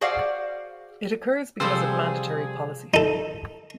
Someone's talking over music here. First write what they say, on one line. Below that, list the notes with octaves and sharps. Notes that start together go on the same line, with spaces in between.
It occurs because of mandatory policy.
F#4 G#4 C5 D5 F5 F#5
C3 F3 G3 C4 G#4 A4 C5 E6
D#4 A4